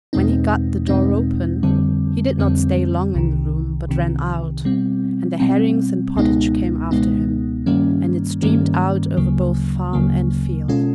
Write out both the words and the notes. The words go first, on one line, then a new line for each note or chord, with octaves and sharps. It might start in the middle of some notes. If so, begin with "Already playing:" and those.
When he got the door open, he did not stay long in the room, but ran out, and the herrings and pottage came after him, and it streamed out over both farm and field.
E2 B2 G#3 C4 D#4
E2 B2 G#3 C4 D#4
F2 D3 G3 C4
F2 D3 G3 C4
C2 C3 D#3
C2 C3 D#3
B2 G3 C4
B2 G3 C4
C#2 B2 G#3 B3 D#4
C#2 B2 G#3 B3 D#4
G2 D#3 G3 A#3 C#4
G2 D#3 G3 A#3 C#4
D2 C#3 F#3 A#3
D2 C#3 F#3 A#3
B2 G#3 C#4 F4 A4